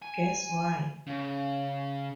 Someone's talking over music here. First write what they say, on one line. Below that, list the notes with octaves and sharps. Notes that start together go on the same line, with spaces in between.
Guess why.
G#5
C#3